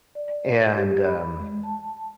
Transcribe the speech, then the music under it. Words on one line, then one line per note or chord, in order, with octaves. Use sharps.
And, um,
D5
G4
B5
G#3
A5